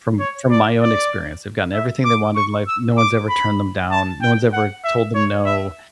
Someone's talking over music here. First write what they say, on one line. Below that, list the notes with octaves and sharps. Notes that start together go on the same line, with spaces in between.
from from my own experience, they've gotten everything they wanted in life, no one's ever turned them down, no one's ever told them no,
C#5
D5
D5
E5
D6
C#6
E6
D6
B5
A5
G5
F#5
E5
C#5
E5